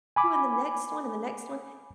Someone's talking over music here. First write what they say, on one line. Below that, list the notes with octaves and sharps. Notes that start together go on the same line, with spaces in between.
in the next one and the next one?"
G#5 B5 D6